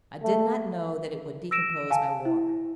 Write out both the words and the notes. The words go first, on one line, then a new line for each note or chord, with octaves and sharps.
I did not know that it would decompose by water.
A3
E6 A#6 D7 E7
F5 G#5 A5
E4